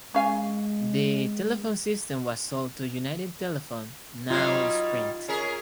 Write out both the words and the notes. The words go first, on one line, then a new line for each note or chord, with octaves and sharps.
The telephone system was sold to United Telephone, now Sprint.
G#3 C#4 F5 G#5
F#3 G3 D#4 F4 G#6
C#4 G#4 A#4